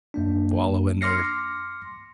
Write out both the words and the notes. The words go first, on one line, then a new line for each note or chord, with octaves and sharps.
wallow in their
F#2 A#3 D4
C6 D6 F6 A#6 C7 C#7